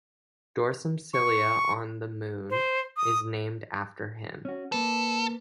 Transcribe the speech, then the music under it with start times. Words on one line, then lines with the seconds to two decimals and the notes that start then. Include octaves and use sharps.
Dorsum Scilla on the Moon is named after him.
1.14 C#6
2.50 C5
2.97 D#6
4.45 C#4 F#4
4.72 A#3 A4 B4